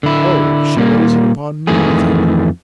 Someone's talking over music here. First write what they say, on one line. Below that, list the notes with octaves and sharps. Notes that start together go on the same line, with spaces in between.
'Oh!--She lays it upon me, then?'
D3 E4
A#2 G3 A#3
F2 D#3 E3 A3 G#4